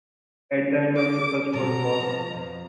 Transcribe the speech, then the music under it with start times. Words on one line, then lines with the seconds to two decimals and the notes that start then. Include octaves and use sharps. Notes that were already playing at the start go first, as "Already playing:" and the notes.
At the end of the First World War.
0.96 D6
1.54 B2 C4 A4 A#5
1.98 C#3 F3
2.33 F2